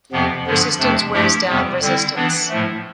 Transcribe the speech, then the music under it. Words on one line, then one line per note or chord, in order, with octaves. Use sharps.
Persistence Wears Down Resistance.
F2 C3 F3 B3
G2 D3 F3 B3
F2 C3 F3 A3 D4
G2 F3 A3 E4 G4
F2 C3 G3 B3
D3 G3 C4 E4
E3 B3 D4
A2 F3 A3